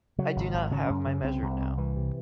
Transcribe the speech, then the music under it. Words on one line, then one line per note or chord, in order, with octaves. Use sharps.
I do not have my measure now.
C#3 F#3
G#1
G#1
C#3 C#4
F#2
C#3
C2 C4
C2
C2
C2 E3
C3